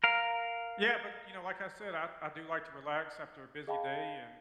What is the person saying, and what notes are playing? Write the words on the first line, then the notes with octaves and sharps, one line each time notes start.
Yeah, but you know, like I said, I I do like to relax after a busy day, and
A#4 F5
G#4 D#5 F5 G5 A5 B5